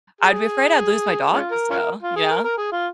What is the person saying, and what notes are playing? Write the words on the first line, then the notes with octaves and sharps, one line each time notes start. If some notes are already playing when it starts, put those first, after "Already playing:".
I'd be afraid I'd lose my dog, so, you know.
G#4
G#3 C#4 F4
A#4
C#4 F4 A#4
F4
G#4
A#4
A#4
G#4
F4